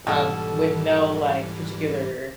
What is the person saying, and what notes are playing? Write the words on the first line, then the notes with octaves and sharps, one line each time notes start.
um, with no, like, particular,
G#2 B2 E3 G3 A4